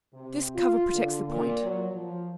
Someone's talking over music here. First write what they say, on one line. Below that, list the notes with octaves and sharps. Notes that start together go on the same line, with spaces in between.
This cover protects the point.
C3
F4
D3
A#2
F#3
F3